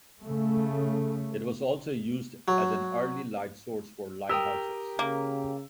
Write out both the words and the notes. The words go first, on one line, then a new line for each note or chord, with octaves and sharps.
It was also used as an early light source for lighthouses.
C#3 A3
F#3
G4 A#4 G5 D#6 E6
C#3 A#3